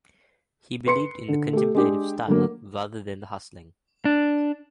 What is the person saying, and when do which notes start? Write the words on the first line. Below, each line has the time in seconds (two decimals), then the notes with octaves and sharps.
He believed in the contemplative style rather than the hustling.
0.86 B4 C6 C#7
1.28 D3
1.53 A3 G4
1.75 G#3 D4 G4 G#4
2.27 D3 F#3 A#3
4.05 D4